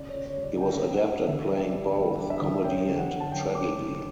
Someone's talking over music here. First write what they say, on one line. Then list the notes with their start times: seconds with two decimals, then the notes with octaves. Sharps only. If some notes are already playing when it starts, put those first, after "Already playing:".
He was adept at playing both comedy and tragedy.
Already playing: C#3 D5
0.09 C#5
0.15 C#3
0.26 C#5
0.36 G3
0.42 D5
0.60 C#3 G5
0.82 C#3
0.93 F#5
1.05 D4
1.27 E3 E5
1.50 G3
1.62 D5
1.73 G3
1.96 G3
2.19 D4
2.30 E5
2.42 E3
2.64 C#4 G5
2.87 D3
2.98 F#5
3.09 D3
3.20 A5
3.32 F#3 G5
3.55 C#4 D6
3.78 D3